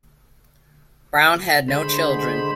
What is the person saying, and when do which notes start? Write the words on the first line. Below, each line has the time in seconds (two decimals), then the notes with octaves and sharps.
Brown had no children.
1.68 D3 G#3 C5 B5